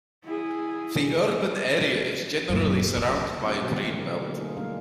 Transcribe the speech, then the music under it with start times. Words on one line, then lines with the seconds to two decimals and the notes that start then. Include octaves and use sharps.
The urban area is generally surrounded by a green belt.
0.24 E4 G#4
2.49 F#2 A#2
2.97 C#3
3.43 F#3 A3 A#3 C#4 F4
3.62 B2 F#3 C4 G4
3.84 G#4
3.98 D3 D#4 A#4
4.36 A3 A#3 D#4 F4 G#4
4.57 G3 A3 A#3 D4 F4 F5